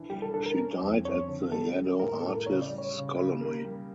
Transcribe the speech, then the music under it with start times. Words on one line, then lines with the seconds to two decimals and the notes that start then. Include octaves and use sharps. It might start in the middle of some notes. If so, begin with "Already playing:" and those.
She died at the Yaddo artists colony.
Already playing: E3 D4
0.10 G3 G4
0.22 A4
0.34 D4 A4
0.46 A#4
0.58 C#4
0.81 F2
1.04 F2 C#5
1.28 D3
1.52 G3 A4
1.76 G3
1.99 A2 A#4
2.21 A2 A4
2.33 A#4
2.46 C#3 C#5
2.62 D5
2.69 G3
2.78 C#5
2.94 C#3
3.17 C#3
3.41 A#3 A#4
3.64 G3